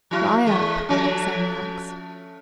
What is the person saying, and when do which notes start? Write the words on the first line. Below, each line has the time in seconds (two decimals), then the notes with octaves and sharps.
"Dry up," said Max.
0.11 F3 E4 F#4
0.45 E2 G#3
0.89 F3 A3 C#4